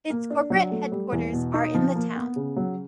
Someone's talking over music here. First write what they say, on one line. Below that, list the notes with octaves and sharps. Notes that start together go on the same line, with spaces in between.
Its corporate headquarters are in the town.
A#3
D4
F#3
A3
G3
E2
B2
D#4
F3
A#3
B3
C#3
F#3